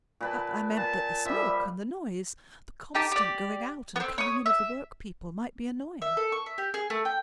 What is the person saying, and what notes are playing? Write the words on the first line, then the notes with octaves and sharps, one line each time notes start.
'I meant that the smoke and the noise--the constant going out and coming in of the work-people, might be annoying!'
A#2 B4 A5
A#2 A5
F3 G3 E5
D#4 G4 A5
G4 D5
B3 C4
C#5 D#6
E5
E5
A4
C#6
E5
G4
G#4
A3
G5